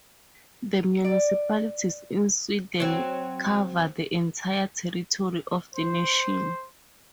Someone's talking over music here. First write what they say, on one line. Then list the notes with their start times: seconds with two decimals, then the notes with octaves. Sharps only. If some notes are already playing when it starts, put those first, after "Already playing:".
The municipalities in Sweden cover the entire territory of the nation.
1.04 D5
2.80 F#3 C4
5.75 C5